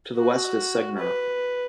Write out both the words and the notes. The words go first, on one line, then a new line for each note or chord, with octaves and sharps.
To the west is Segner.
F#4
B4